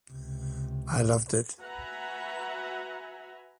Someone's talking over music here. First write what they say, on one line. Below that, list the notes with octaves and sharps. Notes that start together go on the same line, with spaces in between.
I loved it.
C#2 C3
F#4 B4 E5 F#5 G#5 A#5